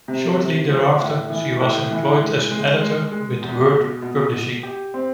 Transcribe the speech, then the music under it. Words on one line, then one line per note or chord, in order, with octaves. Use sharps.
Shortly thereafter she was employed as an editor with Word Publishing.
C3
C3
F3
A2
E3
A2
E3
G#3
G#3
G#3
G#3
E2
B2
B2
B2
G4
C4